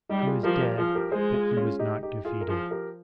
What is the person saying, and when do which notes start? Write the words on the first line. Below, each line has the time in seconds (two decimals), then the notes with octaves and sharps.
He was dead, but he was not defeated.
0.09 G3 D#4 G4
0.26 F4 G#4
0.43 F3 G4 A#4
0.60 G4 A#4
0.77 F3 F4 G#4
0.95 G4 A#4
1.12 G#3 G#4 C5
1.34 F4 G#4
1.57 C#4 F4
1.79 D#4 G4
2.03 D#4 G4
2.25 F4 G#4
2.41 A#4
2.47 F3 F4 G#4
2.71 G4 A#4